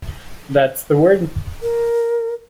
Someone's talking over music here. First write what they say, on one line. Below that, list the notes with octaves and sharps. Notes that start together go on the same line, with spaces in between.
That's the word.
A#4